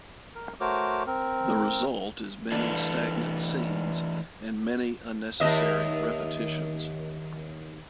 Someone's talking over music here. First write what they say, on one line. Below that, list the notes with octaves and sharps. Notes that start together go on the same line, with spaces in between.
The result is many stagnant scenes and many unnecessary repetitions.
A#4
A3 F#4 A#4 C5 C#5 D6
C4 A#4
E3 A3 D4
D#2 D#5 E5